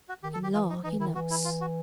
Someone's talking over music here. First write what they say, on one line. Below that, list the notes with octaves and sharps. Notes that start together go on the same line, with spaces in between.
In law he knows.
F#4
D#3 G4
A4
D#3 G4
E3 F4
F3 D#4
E3 D#4
D#3 E4
E3 F#4
E4
F4
F#4